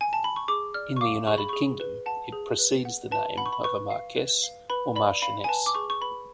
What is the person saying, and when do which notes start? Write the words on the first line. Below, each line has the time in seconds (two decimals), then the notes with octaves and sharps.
In the United Kingdom, it precedes the name of a marquess or marchioness.
0.01 G#5
0.13 A5
0.24 B5
0.36 C#6
0.48 G#4 D6
0.74 D5 F6
0.96 C#6
1.01 F5 D6
1.27 G#4 C#6
1.38 B5
1.49 G#4 C#6
1.80 B4
2.06 F#5 A5
2.32 G#4
2.59 B4
2.85 F#5
3.11 B4 A5
3.38 F#5 B5
3.46 C#6
3.53 B5
3.64 B4 C#6
3.90 F5
4.17 B4
4.43 F5
4.70 B4 B5
4.96 D5 B5
5.22 F5 B5
5.44 G#5
5.48 B4 A5
5.66 D6
5.74 G#4 C#6
5.90 C#6
6.01 B4 B5